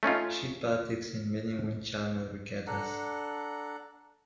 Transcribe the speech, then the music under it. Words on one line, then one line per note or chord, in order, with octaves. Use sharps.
She partakes in many windjammer regattas.
A3 C#4 D#4 F4
D4 A4 F#5 A#5